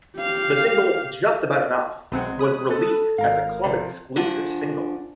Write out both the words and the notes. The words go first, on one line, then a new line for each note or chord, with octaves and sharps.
The single "Just About Enough" was released as a club-exclusive single.
G4 F5
B1 E2 G#3 C4 F#5
B5 D#6 F#6
A4
G#1 A#4 F5
C3 F3
G2 F3 D4 F#5 G#5